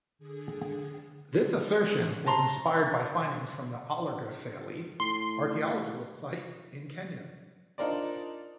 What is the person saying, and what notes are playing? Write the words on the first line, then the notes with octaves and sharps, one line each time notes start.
This assertion was inspired by findings from the Olorgesailie archaeological site in Kenya.
D3 G#4
A5 A#5 C6
A2 C6
D4 D#4 F4 A#4 C5 D5